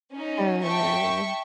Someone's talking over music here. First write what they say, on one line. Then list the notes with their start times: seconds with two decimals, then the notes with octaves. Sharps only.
Oh, no.
0.13 C#4 D#4
0.63 E5 G5 A5 C#6